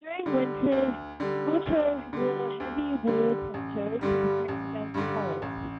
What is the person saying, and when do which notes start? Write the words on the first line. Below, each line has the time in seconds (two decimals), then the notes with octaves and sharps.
During winters, gauchos wore heavy wool ponchos to protect against cold.
0.26 D3 G3
0.72 D2
1.20 D3 G3
1.66 D2
2.13 D3 G3
2.60 D2
3.07 D3 G3
3.54 A1
4.01 G2 D3 G3
4.48 A1
4.94 G2 D3 G3
5.42 A1